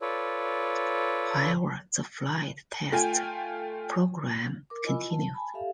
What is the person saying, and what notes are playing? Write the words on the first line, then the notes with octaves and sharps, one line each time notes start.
However the flight test program continued.
F4 A4 B4 C#5 D5
A3 F4 G5 G#5
A#4 D6
E4 F4 D#5 G#5 B5 E6
A5
G#5 A5 B5
G4 A4 E5 F5